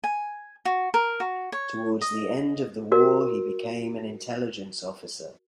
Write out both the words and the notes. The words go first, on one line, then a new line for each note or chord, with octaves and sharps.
Towards the end of the war he became an intelligence officer.
G#5
F#4
A#4
F#4
C#5
D#5
F#4 A#4